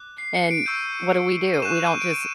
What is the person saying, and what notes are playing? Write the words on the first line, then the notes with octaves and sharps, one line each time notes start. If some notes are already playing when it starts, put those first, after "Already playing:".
And what do we do? We don't just,
Already playing: D6 F#6
C7
C#7
D7
C#6 E6 G6 D#7
D#7
C#6 F#6 E7
D#7
D7
D#7